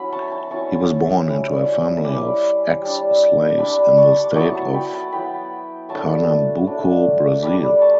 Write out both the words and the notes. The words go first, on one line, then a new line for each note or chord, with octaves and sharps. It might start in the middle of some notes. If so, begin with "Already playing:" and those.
He was born into a family of ex-slaves in the state of Pernambuco, Brazil.
Already playing: F#3 C#4 E4 B5
A5 C#6
A5 C#6
F#3 C#4 E4 A5 C#6
G3 C#4 E4
G3 C#4 E4 B5 D6
G3 D4
G3 D4 B5 D6
A5 C#6
D6
F#3 B3 E4 A5 C#6
A5 C#6
G5 B5
F#5 A5
F#3 B3 E4 G5 B5
F#3 A3 D4 A5 C#6
F#3 A3 D4
G3 D4 B5 D6
A5 C#6